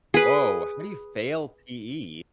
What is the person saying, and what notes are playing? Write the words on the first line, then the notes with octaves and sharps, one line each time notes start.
Woah! How do you fail PE?
G#4 B4